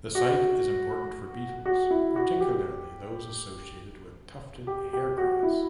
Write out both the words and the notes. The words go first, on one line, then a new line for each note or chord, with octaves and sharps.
The site is important for beetles, particularly those associated with tufted hair-grass.
F#4
F#4
E4
F#4
G4
G4
G4
F#4
E4